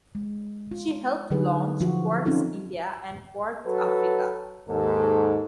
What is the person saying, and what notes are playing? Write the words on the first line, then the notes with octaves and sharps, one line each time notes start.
She helped launch Quartz India and Quartz Africa.
G#3
F4
D3 F#3 D4 D#4 G#4 B4
F3 F4 F#4
C4 C#4 D#4 F4 A4
F#3 F#4 A4 B4
D#2 G#2 A4